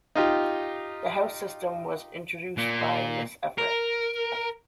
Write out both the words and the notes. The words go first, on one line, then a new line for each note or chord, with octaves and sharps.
The House System was introduced by Miss Everett.
D#4 F4 G4
A#2
A#4